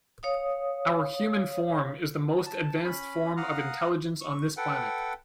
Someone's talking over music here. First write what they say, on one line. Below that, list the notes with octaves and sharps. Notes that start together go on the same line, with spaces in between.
Our human form is the most advanced form of intelligence on this planet.
C#5 F5 D#6
A5
C#4 B5
F5 F#5 A#5 D#6 F6 F#6
C#6
A4 B4 F#5 G5